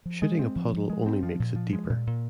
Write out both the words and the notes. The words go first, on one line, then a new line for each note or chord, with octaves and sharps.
Shooting a puddle only makes it deeper.
F3
G#3
C4
F3
F3
G#3
C4
F3
A#2
F3
G#3
A#2
A#2